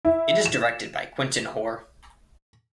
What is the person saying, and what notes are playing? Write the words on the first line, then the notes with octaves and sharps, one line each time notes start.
It is directed by Quintin Hoare.
E4
E7